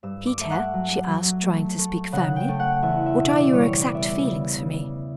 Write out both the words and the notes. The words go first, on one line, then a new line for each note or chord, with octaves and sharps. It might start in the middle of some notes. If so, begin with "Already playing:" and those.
'Peter,' she asked, trying to speak firmly, 'what are your exact feelings for me?'
G2 E6
D6
A3 E5
F#5
F#3
F#3
A3
A3
C#3 F#5
G5
A3
F#5
E2 E5
E5
B2
D5
G3 C#5
D5
B3
D5 E5
C#3
C#3